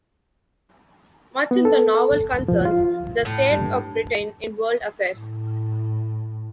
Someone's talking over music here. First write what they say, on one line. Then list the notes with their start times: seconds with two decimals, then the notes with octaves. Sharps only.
Much in the novel concerns the state of Britain in world affairs.
1.51 B3
1.65 A4
2.48 F3
2.65 F4
3.25 A2
3.51 G2
5.16 A2